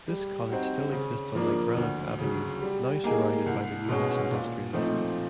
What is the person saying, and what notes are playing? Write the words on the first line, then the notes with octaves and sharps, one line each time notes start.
This cottage still exists on Legbrannock Avenue, now surrounded by the Newhouse Industrial Estate.
G3
C4 D#4 F#4
C#3
F3 A#3 D4
D2
C#3 F#3
G3
A#3 D#4 G#4
C2
B2 G#3 C#4
A#2
F3 A3 C4 D#4